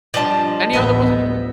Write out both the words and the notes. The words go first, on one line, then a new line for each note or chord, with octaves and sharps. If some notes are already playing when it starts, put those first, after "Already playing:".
any other ones that you can think of?
F3 G3 D4 D5 D#5 A5
A1 D2 B3 D#5 E5